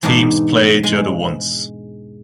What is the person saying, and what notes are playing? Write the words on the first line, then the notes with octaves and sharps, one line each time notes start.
Teams play each other once.
E2 G#2 B2 D4 D#4 A5
G#3 G#5